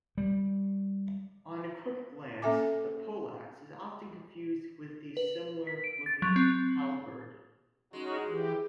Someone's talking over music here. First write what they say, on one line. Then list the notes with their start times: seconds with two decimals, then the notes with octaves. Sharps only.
On quick glance, the pollaxe is often confused with the similar-looking halberd.
0.18 G3
2.42 A#3 C#4 A4 E5 G#5 D6
5.17 B4
5.67 B6
5.84 D7
6.06 A6
6.22 F#3
6.36 C4
7.93 G#3 C#4 D#4 F#4
8.28 E3 G4